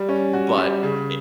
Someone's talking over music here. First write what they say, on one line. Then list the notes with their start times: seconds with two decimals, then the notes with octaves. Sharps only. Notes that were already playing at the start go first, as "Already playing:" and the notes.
but i
Already playing: G3
0.09 C#4
0.33 F#4
0.58 G3
0.83 C#3